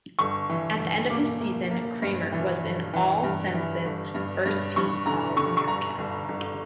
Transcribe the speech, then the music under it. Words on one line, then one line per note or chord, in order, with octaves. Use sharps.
At the end of the season, Kramer was an onsensus first-team All-American.
G1 C#6
E3
G1
A#3 D6
A#3
A#3
G2
E3
G1
E3
G2
E3
G1
G2
G2
G2 C#6
D3 A#5
D3 C#6
C#6
G1 A#5
G1
G1